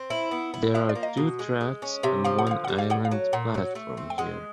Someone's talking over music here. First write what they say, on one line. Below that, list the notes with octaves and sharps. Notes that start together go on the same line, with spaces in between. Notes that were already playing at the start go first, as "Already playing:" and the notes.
There are two tracks and one island platform here.
Already playing: C4
E4
B3
E4
F3 E5
D5
A#3
D#5
B2
G#3
G#3
C#4
C3 E5
F3 F5
F#5
D3 F5
G3 F#5
F5
A2 F#5
F5
F#3
A#2 F#5
F#3
A3
C4
G5
G#3 F#5